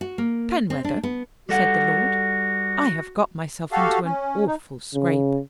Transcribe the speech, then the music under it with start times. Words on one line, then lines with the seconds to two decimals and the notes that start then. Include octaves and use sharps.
"Penwether," said the Lord, "I have got myself into an awful scrape."
0.01 F#4
0.18 A#3
0.70 C4
0.84 D4
1.03 B3
1.49 G3 F#4 A4 F#5
3.72 F#4 G4 A4 F5
4.05 C#4
4.47 D#4
4.95 C#3